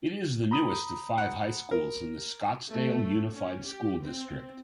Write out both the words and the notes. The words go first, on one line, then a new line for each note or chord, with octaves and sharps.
It is the newest of five high schools in the Scottsdale Unified School District.
A#5 B5 D#6
F#5
A#4
A3
C#4
G4
C4